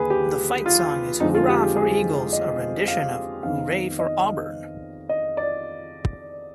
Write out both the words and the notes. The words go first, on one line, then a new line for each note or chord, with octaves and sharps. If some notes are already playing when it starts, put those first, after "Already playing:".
The fight song is Hoorah for Eagles a rendition of Hooray for Auburn!!
Already playing: D#2 D3 G#4 B4
G4
F4
F2 D3 F3 G#3 D#4
F4
G4
G#4
G#4
D#5
F5
F2 D#3 B3 F5
D#5
D#5
D5